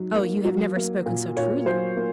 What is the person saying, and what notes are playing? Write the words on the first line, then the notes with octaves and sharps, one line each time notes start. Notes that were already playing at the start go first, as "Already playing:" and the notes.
"Oh, you have never spoken so truly."
Already playing: G#2 F#3
A#3
F#3
A#3
A#2
A#2 C#5
F#3 C5
A#3